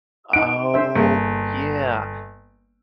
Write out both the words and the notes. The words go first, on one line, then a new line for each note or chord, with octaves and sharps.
Oh, yeah.
D#4 F#5 D7
D4 C5 E5
G1 G3 A#3 G#4